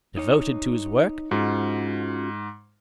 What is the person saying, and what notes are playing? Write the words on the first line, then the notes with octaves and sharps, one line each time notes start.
Devoted to his work.
D#4 C#5
G#2 C#4 F4 F#4